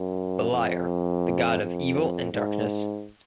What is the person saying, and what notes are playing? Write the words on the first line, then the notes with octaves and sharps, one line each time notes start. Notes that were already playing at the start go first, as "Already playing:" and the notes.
Beliar, the god of evil and darkness.
Already playing: F#2
F2
F2
G#2